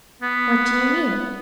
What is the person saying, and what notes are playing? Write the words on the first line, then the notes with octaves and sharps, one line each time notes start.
What do you mean?
B3